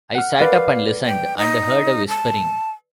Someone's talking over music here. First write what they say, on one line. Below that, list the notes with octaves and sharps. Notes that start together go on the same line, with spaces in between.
I sat up and listened and heard a whispering.
F#5 F6
B4 D5 F5
G5
D#4
A5